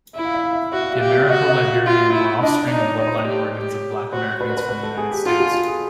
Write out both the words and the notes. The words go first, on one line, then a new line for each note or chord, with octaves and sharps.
The Americo-Liberian were offspring and bloodline origins of black Americans from the United States.
E4 E5
F5
E5
F5
E5
F5
F#4 E5
F5
E5
G4 F5
E5
E5
F#4 D#5
D#5
F5
E5
F4
E4
D4 D#5
D5
D#4
C#5
D#4 C#5
C5
C#5
G4
G4
F#4 C5
F#4 B4
A#4
B4
B4
A4
G#4
G4
F4 F#4
F#4
F4
G#4